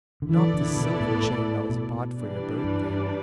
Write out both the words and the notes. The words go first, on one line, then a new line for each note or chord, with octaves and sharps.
Not the silver chain that was bought for your birthday?
D3
E3 B3 E4 A4 D5
D3
D3
B2
A2
A2
B2
E3 G3 D4 B4 D5
G2